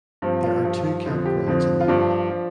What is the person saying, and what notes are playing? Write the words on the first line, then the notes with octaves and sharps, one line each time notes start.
There are two campgrounds in the park.
G2 F3 C4
F4
G2 F3
F2 D3 F3 C5
G4
F2 D3 F3 C4
F4
G2 F3 D4
F3